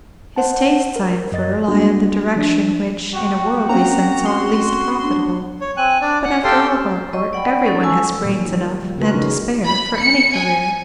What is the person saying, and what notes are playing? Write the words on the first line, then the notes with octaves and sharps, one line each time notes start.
His tastes, I infer, lie in the direction which, in a worldly sense, are least profitable; but, after all, Harcourt, every one has brains enough, and to spare, for any career.
C5 F#5 A5
A#4
F#2 D#5 A6
G3 A#3 D4 F#4
F3 D4
F#4 G5
A#3 C4 C#4 A#5
C6
D4
C#5
C4 G#5 F#6
D4 D5
F#5 F#6
G4 A4 F5 G5 A5 C6
D#5 C#6
D5 F#5 G5 B5
C#4 D#4 A4
G#3 A4 G#5 A5 C#6 E6
A#2 D#3 F#3 G3 A#3
G3
C#3 A#3 F#4 A#4 B4
C#3 F3 G#3 C#4 D#4
B5
C#7
G#5